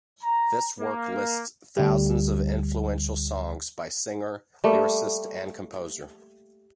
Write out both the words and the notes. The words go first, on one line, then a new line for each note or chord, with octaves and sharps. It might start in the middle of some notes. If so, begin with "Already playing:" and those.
This work lists thousands of influential songs by singer, lyricist and composer.
A#5
A#3
D2 D3 G3
G3 A3 A#3